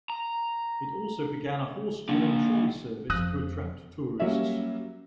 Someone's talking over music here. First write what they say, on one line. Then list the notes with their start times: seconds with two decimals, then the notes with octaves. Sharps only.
It also began a horse-drawn trolley service to attract tourists.
0.10 A#5
2.09 A#3 D4
3.10 F2 F3 D#6 F#6 A#6
4.19 F#3 G3 A#3 C#4 E5